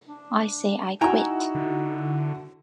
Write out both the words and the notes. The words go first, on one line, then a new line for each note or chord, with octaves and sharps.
I say I quit.
D4
D#4 E4 F#4 G5 G#5 A#5
D3